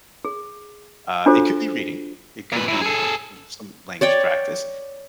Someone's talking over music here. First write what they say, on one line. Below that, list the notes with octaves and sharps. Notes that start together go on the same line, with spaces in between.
uh, it could be reading, it could be l some language practice,
G#4
D4 F4 F#4 A4 C5
A#2 B4
E3 F#3
G#4 A4
C#5 D5 G5